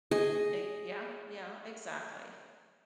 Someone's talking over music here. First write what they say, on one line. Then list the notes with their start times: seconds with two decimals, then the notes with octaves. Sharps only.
E yeah, yeah, exactly.
0.11 G#4 D#5